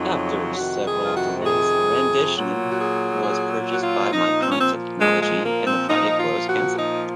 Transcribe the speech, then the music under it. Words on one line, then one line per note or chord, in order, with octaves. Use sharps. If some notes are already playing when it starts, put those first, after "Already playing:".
After several delays, Rendition was purchased by Micron Technology and the project was cancelled.
Already playing: F2 C#3 F#3 D#4
F2 C3 D#3 F#4
G#4
F4
F#4
F#4
G#4
A#2 F#3
F#4
G#4
G#4
F#4
F4
A#2 F3 D#4
C4
C#4
C4
G#3
G#3
A#3
C4
A#2 F3 D#4
F4
F#4
D#4